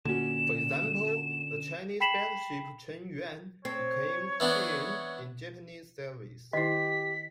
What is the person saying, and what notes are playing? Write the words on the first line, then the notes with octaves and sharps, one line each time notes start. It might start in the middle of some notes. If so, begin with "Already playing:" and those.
For example, the Chinese battleship "Chen Yuan" became "Chin'en" in Japanese service.
A#2 D3 C#4 F#4 E7
G5 B5 B6 C7 E7 F#7
C4 C#5
E3 B3 D4
D#3 E4 G4 D#5 B6